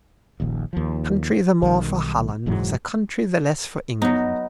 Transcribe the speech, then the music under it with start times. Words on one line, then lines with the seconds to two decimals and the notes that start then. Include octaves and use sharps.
A country the more for Holland was a country the less for England.
0.40 D#1 A#1 D#2
0.73 D#2 F3
1.62 B1 D#3 G3
2.46 F1 G#2 E3 F#3
4.02 F#3 B3 D#4